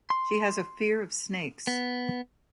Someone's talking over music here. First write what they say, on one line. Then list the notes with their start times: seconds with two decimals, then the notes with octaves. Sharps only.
She has a fear of snakes.
0.10 C6
1.67 B3